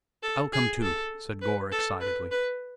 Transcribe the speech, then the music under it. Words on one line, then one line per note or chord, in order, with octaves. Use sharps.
"I'll come too," said Gore, excitedly.
A4
G#4
A4
B4
A4
B4
B4